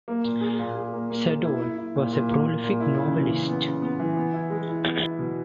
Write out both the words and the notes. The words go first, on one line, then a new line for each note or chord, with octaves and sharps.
Sadoul was a prolific novelist.
A#3
A#2
G#4
A#2
G#4
A#3
A#3
G#4
E4
E4
E4
A#2
A#2
A#3
A#3
A#2
E4
C#3
E3
C#3
B3
C#3
B3
E3
B3
E4
G#3
E4
B3
E4
B2